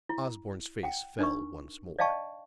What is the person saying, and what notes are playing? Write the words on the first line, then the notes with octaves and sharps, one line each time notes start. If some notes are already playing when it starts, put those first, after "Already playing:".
Osborne's face fell once more.
E4
F#5 G5
D4 D#4 A#4 C#6
D5 D#5 F5 G5 A5 C#6